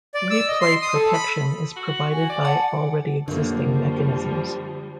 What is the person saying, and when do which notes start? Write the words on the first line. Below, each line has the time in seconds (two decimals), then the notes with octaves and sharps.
Replay protection is provided by already existing mechanisms.
0.14 D5
0.30 E6
0.48 D#5
0.61 C6
0.82 D#6
0.94 A4
1.13 B5
1.77 F#4
2.13 G#5
2.30 D5
2.45 F#5 A5
3.28 F#2 D3 F3 G3 A#3